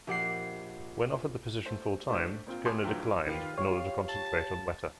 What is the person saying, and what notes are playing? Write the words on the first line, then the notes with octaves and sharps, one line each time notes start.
When offered the position full-time, Tokona declined in order to concentrate on Weta.
A#1 G4 F#5 C7
A3 C5
A3 D4 G4 C5
A#2 C4 F4
G#5 A5 B5 C6 D6 D#6
A2 D3 E3 F#3 F4
D#3 F4 G4 B4
C#5 F5
A5